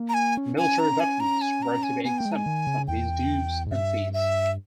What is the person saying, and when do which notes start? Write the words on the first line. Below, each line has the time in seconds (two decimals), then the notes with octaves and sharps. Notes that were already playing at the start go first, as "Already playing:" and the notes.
Military veterans were to be exempt from these dues and fees.
Already playing: A#3
0.09 A#5
0.14 G#5
0.37 C#4
0.58 G#5
0.79 A#5
1.00 G#5
1.20 A#5
1.42 G#5
1.62 A#5
1.83 G#5
2.05 B3 G#5
2.18 A#3 G5
2.25 G#3
2.32 A#5
2.35 G#5
2.46 D#3
2.67 C#3
2.88 E2 G5
3.66 G#2
3.71 G2 E5
4.14 E5